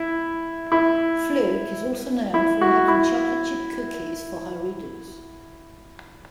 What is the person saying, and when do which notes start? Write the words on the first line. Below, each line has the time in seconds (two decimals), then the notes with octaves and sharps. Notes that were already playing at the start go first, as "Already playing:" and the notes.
Fluke is also known for making chocolate chip cookies for her readers.
Already playing: E4
0.72 E4
2.34 E4
2.61 F#4
2.88 E4